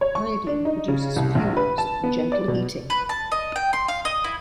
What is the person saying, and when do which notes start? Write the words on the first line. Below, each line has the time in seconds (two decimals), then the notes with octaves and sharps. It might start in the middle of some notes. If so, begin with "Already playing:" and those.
Iodine produces fumes on gentle heating.
0.01 C#5
0.15 C#6
0.47 D4
0.65 D#4
0.88 C#3
1.16 C2
1.35 A#1
1.57 B4
1.78 A5
2.03 B3
2.32 D5
2.48 B2
2.90 B4
3.09 A5
3.32 D#5
3.56 G5
3.73 C6
3.88 F5
4.05 D#5
4.24 E4